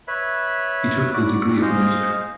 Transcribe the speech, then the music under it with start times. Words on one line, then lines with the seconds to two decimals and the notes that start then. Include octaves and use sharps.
He took the degree of Mus.
0.08 B4 C#5 E5 B5
1.14 F#4 D5 D6
1.62 G#4 C5 D#5 F5